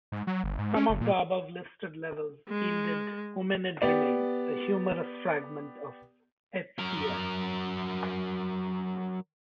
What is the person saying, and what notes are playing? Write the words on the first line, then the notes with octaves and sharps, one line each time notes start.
Some of the above-listed levels yielded hominid remains: a humerus fragment of H. cf.
G#2
F#3
G1
G#2
C#4
F#1
A#2
G#3
B3 G4 D5
F#3 A#4